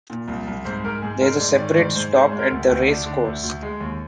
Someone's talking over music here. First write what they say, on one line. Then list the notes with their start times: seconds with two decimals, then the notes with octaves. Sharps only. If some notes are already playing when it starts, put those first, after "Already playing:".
There is a separate stop at the race course.
0.10 A#2
0.28 C2
0.47 C2
0.65 G#2 C5
0.84 G#2 A#4
1.02 G#2 G#4
1.20 G#3 A#4
1.40 G#2 D5
1.58 D#3 D5
1.77 G#2 D5
1.95 G#2 C5
2.13 G#3 C5
2.32 G#3
2.38 A#4
2.51 D2
2.63 G4
2.70 D2
2.88 D2 D4
3.06 D3
3.24 D2
3.43 D2
3.63 G#3
3.80 D#2